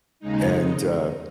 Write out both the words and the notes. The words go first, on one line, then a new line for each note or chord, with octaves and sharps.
and, uh,
D#2 C#3 G#3 D#4